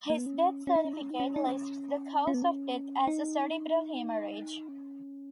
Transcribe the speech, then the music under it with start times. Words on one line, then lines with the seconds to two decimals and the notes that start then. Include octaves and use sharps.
His death certificate lists the cause of death as a cerebral hemorrhage.
0.10 A#3
0.18 B3
0.26 C#4
0.67 C#4
0.76 D#4
0.85 C#4
0.93 D#4
1.02 C#4
1.10 D#4
1.20 C#4
1.36 D#4
1.47 C#4
2.27 C#4
2.34 B3
2.42 C#4
3.07 D#4
4.69 C#4